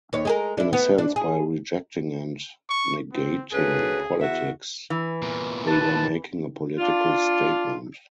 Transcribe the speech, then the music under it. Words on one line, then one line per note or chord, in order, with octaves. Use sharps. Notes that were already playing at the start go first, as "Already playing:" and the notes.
In a sense by rejecting and negating politics, they were making a political statement.
D#2 C#5
G#3 G#4 A#4
D4 E4
B3
D4
G#4
C#6
C4
D2 C#3 G#4 B4
E2 F#4 E5
E3
E2 A#2
B4 A5
D4 F4